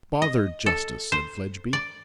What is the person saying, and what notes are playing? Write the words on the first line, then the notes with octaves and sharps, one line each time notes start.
'Bother justice!' said Fledgeby.
D#5
A4
C5
D5